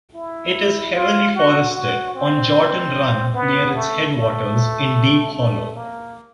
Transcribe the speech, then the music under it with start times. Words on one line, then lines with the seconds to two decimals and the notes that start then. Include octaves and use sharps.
It is heavily forested, on Jordan Run near its headwaters, in Deep Hollow.
0.14 E4
0.95 F4
1.35 F#4
1.75 F#4
2.15 C4
3.34 B3
3.75 A3
4.15 A3
5.34 A3
5.75 A#3